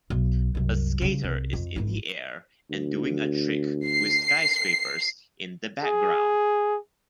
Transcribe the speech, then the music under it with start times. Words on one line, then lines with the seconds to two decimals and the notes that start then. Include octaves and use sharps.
A skater is in the air and doing a trick with skyscrapers in the background.
0.10 B1
0.55 C2 F#2
1.01 C#3 G3
1.23 C2
1.53 F2
1.76 G#1 E4
2.70 D2
3.86 C7
5.84 G#4